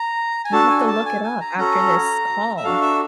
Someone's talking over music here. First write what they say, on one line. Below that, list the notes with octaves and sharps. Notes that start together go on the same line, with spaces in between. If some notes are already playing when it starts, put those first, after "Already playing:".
I have to look it up after this call.
Already playing: A#5
G#5
D4 F#4 A4 A5
G#5
A5
G#5
G#5
A#5
C#4 F#4 A4 A#5
E5
D4 F#4 A4 F5
E5